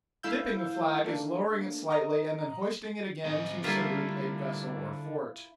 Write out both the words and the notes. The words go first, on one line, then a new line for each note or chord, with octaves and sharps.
Dipping the flag is lowering it slightly and then hoisting it again to salute a vessel or fort.
A3 E4 F5 E6 G6
A3 A#3 D4
D#5 A#5
C4 G#4 D#5
D3 G3 A3 A#3 E4 F4 A#4